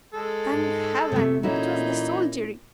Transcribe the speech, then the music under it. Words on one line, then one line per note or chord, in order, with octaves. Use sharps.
Thank Heaven! it was the soldiery.
G#3 A4
G#2
F2 C3 A3
A#2 E3 C#4 D#4 E4 F#4